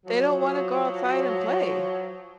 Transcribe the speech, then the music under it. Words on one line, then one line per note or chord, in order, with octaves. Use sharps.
They don't wanna go outside and play.
F3 F#3